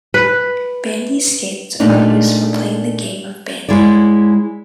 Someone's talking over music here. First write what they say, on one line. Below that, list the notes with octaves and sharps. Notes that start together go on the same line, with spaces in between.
Bandy skates are used for playing the game of bandy.
B4
A#2 A3 D4 D#4
G#3 E4 C#5 D5